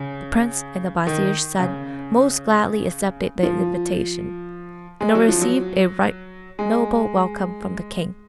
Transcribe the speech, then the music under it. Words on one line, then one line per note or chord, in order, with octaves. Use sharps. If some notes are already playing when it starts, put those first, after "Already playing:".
The prince and the vizier's son most gladly accepted the invitation, and received a right noble welcome from the king.
Already playing: C#3
D#3
C#3
F3
G#3
F#3
F3
F#3
G#3